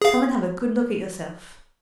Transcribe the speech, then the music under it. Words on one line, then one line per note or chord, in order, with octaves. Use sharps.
"Come and have a good look at yourself."
G#4 F5